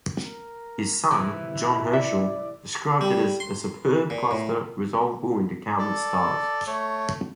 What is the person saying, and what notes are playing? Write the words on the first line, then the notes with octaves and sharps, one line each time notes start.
His son, John Herschel, described it as "a superb cluster resolvable into countless stars".
A#4
A2 C3 E3 E4
D5 E5
G3
C6
A#2
A2
A4 D5
A3 C#5